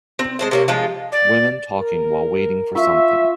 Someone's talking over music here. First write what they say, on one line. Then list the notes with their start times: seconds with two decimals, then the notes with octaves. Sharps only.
Women talking while waiting for something.
0.19 C4
0.39 G#3 C5 A5
0.51 C3 A#3 C#5
0.68 F3 G#3 F4
1.12 D5
1.76 A#4
2.75 F4 E5 C#6